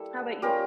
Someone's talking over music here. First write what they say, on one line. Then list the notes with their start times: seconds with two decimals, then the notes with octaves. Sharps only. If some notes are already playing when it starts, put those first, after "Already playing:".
How about you?
Already playing: G3 A#3 E4 A4
0.42 G3 C#4 F4 G4 A#4